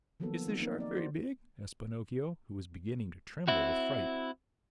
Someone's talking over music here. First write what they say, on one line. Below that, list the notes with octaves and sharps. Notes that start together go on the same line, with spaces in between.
"Is this Shark very big?" asked Pinocchio, who was beginning to tremble with fright.
D#3 F3 F#3 A#3 B3 A4
B3
C4 D#4
A#3 D#4 A#4
A#3 D5
F#4 C5
C4 E4 F#4